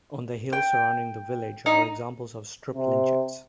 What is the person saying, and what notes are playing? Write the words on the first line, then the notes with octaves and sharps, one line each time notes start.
On the hills surrounding the village are examples of strip lynchets.
G5
D#4
C3